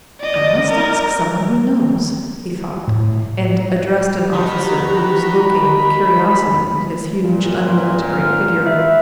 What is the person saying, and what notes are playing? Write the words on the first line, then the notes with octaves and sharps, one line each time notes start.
"I must ask someone who knows," he thought, and addressed an officer who was looking with curiosity at his huge unmilitary figure.
D5 D#5
A#4 D5
A2
D#3 F#4 G4 A#5 B5
G#1 C#2 A#2
F4
F6
B4 E5